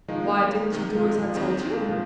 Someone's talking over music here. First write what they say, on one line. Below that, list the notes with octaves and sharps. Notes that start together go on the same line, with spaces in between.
"Why didn't you do as I told you?"
D#3 F3 G#3 D#4
A#3
A#3
C2 C3 D#3
F3
G#3
F3
D#2 D#3 C4 G#4
A#3
G#3
F3